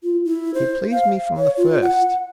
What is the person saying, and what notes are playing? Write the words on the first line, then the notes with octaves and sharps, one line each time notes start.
He pleased me from the first.
F4
E4
C5
F5
C#5
F4
F#5